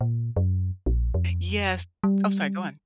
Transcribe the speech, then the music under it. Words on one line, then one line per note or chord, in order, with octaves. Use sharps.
Yes Oh, sorry. Go on.
A#2
F#2
A#1
F2
G3